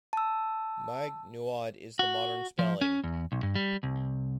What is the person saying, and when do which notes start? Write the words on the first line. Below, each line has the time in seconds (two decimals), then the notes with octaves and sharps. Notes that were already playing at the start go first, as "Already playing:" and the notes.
"Maigh Nuad" is the modern spelling.
0.13 A5 E6
1.99 F#4
2.59 F3
2.81 C#4
3.04 E2
3.32 B1
3.43 G2
3.55 G3
3.83 C2